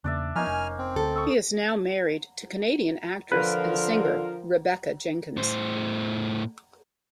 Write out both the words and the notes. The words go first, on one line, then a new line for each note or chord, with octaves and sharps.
He is now married to Canadian actress and singer Rebecca Jenkins.
E2 C#3 A#3 D4 D5 E5
F3 A#3 B3 C#4 D#4 G#5 F6
F1
C4
D2 A4
C#6 D#6 E6
D3 F3 F4 A#4 B4
A2 C5